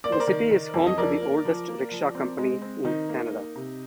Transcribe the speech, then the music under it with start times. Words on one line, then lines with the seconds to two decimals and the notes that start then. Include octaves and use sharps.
The city is home to the oldest rickshaw company in Canada.
0.04 A#3 D5
0.12 C5
0.20 A#4 D5
0.28 D#3
0.51 D#3
0.74 F2
0.87 D#5
0.98 F3 A#4 D5
1.22 A#3
1.45 F3
1.68 A#3
1.91 F3
2.15 C4
2.38 G#3
2.62 C4
2.85 D#3 D#4
3.09 A#3
3.32 A#3
3.55 C3